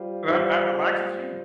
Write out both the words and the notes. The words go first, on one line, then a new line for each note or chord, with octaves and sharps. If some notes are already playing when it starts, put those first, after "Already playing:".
That that relaxes you?
Already playing: G3 F4 C5
G3 F4 C5